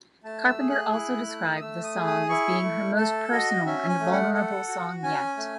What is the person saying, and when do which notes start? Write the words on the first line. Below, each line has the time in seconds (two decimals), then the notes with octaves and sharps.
Carpenter also described the song as being her most personal and vulnerable song yet.
0.24 A3 A5
0.47 E6
0.58 G#4
0.70 F#6
0.93 E4 F#6
1.27 A3
1.56 D#6
1.61 A3 E6
1.84 D#6
1.96 G#4
2.07 D#6
2.29 E4 C#6
2.63 A3
2.97 A4 A5
3.31 F#4 D#5
3.66 C#4 E5
3.89 G#5
4.00 A3
4.12 F#5
4.34 A4 F#5
4.68 F#4
5.03 C#4 G#5
5.37 A3